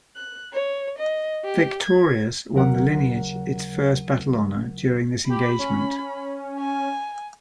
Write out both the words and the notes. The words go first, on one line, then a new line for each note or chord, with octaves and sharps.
"Victorious" won the lineage its first battle honour during this engagement.
F#6
C#5
D#5
G4
G#6
D#2 C#3 F#3 A#4 F#5
G4 B5
C#4
G#5